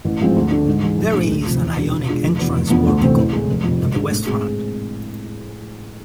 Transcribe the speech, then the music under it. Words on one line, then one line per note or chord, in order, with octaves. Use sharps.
There is an Ionic entrance portico on the west front.
A1
G#2 F3 G#3 C4
D2
D3 A3 D4
G#2
E3 G#3
B1
A2 G#3 D4
D2
C3 F3
E2
B2 G#3 D4 G#4
B2
G#3 D4 F4
F1
E2 B2 B3
F1
F2 E3 B3 D4
D2
C3 E3 A3 C4
A1
A2 G#3
F1
F2 C3
G#1
G#2 G#3 D4 G#4
A2
G#3 C4 G#4